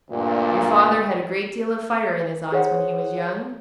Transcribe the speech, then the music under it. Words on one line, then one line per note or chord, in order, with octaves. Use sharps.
Your father had a great deal of fire in his eyes when he was young.
D2 G2 A#2
G#4 C5 C#5 F#5